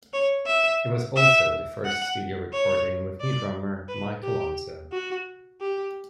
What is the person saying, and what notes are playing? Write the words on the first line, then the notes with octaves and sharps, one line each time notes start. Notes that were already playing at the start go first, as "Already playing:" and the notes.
It is also the first studio recording with new drummer Mike Alonso.
C#5
E5
E5
F#5
C#5
D5
B4
G4
F#4
G4